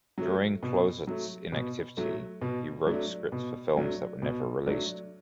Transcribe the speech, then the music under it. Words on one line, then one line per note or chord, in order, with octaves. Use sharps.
During Clouzot's inactivity, he wrote scripts for films that were never released.
F#3 A3
B2
F#3 A3
B2
F#3 A3
B2
F#3 A3 D4
B2
F#3 A3 D4
B2
F#3 A3 D4